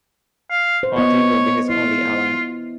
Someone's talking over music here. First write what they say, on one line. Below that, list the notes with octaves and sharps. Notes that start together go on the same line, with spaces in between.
Ponti will be his only ally.
F5
C5
B3 F4 C#5 D#5
E4 F4